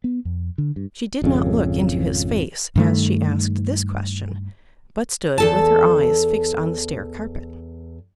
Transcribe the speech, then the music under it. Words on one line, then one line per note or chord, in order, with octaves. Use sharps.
She did not look into his face as she asked this question, but stood with her eyes fixed on the stair-carpet.
B3
F2
D3
G2
G#1 F2 C#3
G2 D#3 A3
E2 A4 A5